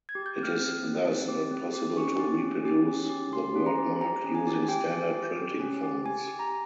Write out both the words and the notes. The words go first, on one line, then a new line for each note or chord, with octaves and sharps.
It is thus not possible to reproduce the wordmark using standard printing fonts.
G#6
G4
G6
C4
F6
C4
C4
C4
G4
C4
G4
C#4 C#6
G4
C#4
G4
C#4
G4
G4 C6
C#4
A#5
G4
G4 A#5
C#4
G#5
G4
G#5
G4 G5
G4
G4
G4
C#4
G4
G4 G#5
G4
A#5